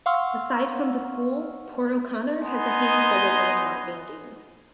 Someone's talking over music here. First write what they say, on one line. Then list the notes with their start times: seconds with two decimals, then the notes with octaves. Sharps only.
Aside from the school, Port O'Connor has a handful of landmark buildings.
0.06 F5 F#5 C6 C#6 E6 F6
2.43 B3 D#4 D#5 G#5 C6